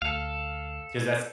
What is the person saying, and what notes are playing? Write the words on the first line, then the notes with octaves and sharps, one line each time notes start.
'cause that's
D2 A4 F5